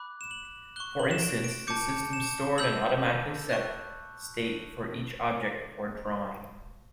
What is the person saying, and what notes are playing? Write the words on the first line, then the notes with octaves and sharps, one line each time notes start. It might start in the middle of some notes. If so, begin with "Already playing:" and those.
For instance, the system stored and automatically set state for every object before drawing.
Already playing: B5 D6 F#6
E7
F#7
C#6 F#6 G7
F#7
E7
D7
D7
A5 D6 G6 C#7
E7
B5 E6 G6 F#7
C#6 F#6